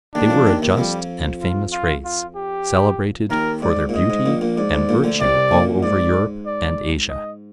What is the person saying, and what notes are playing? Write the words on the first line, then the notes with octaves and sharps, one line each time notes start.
They were a just and famous race, celebrated for their beauty and virtue all over Europe and Asia.
D#2 D#3 D4
D#3
F2 F3
D#2 D#3
D#2 D#3
F2 F3 G3
F4
F4
F4
G4
D#2 D#3 A#4
G#2 D5
A#2
G#2 D#5
G#2
A#1 A#2
A#1 A#2
G#2 D5
G#2
A#1 A#2
D2 D3
C2 C3 D5
A#1 A#2
G#2 D5
D5
D#5